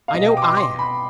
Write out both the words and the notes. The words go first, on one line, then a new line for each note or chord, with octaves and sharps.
I know I have.
F5
C2 B2 B3 D#5
G5
D6
C6
C6
B5